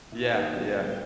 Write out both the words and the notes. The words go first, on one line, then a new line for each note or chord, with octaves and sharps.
Yeah, yeah.
A#2 E4
D#2 D#5 D#6
G1 A2 F#3 G3
A2 G5